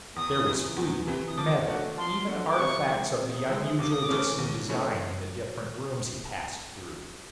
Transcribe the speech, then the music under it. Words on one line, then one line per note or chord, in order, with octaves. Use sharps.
There was food, metal, even artifacts of the unusual Disan design in the different rooms he passed through.
E2 D#6
C3 E3
E2
C3 E3
D#6
F3 D6
A3 D4 F#4
F3 C6
A3 D4 F#4
D6
C3 C#6
E3 G#3
C3
D#6
E3 G#3 E6
D#6
D#2 D6
D#6
D6
C#3 E3 A3 C#4
D#2
C#3 E3 A3 C#4